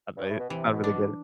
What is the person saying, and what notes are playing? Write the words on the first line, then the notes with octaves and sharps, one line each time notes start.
uh, they I don't really get it.
G2
A2
B2
C3 E3
B2
D4
B2